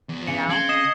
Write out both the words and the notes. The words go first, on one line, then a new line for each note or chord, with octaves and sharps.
You know?
E2
C#3 C#7
C4 G#6 F#7 G7
D#5 D#6 C7 E7